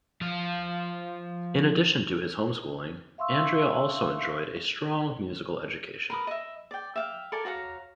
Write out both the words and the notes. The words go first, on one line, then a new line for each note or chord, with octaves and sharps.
In addition to his homeschooling, Andrea also enjoyed a strong musical education.
F3 F5
E5 F5 C6 C#6 E6
A#4 B4 D#6
D#5 E5
D5 G5
E5 F5 G5
A4 A#4 D5 G#5
F#4 C#5 F5 A#5